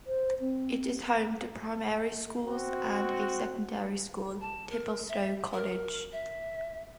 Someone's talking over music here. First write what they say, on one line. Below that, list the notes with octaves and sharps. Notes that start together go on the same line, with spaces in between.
It is home to primary schools and a secondary school; Templestowe College.
C5
C4
C4 F#4
A5
A#4
E5
A#4
E5